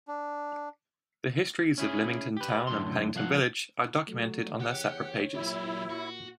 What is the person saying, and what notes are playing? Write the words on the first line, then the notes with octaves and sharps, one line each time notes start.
The histories of Lymington Town and Pennington village are documented on their separate pages.
D4
C#4 E4 G#4
G4 B4
F#2 A2 D3 C6
C2 F3 F5 F#5
F#3 A3
E2 G4 C#5 F#5
A#2 F#3 E4 G4
F#4